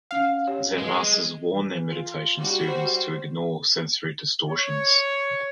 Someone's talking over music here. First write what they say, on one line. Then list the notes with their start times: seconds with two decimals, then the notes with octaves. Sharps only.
Zen masters warn their meditating students to ignore sensory distortions.
0.11 C#4 F5 F#5
0.47 G4 C#5
0.78 G#3 B4
1.53 E3
1.92 F4
2.37 G3 F#4
2.68 C5
4.49 C#5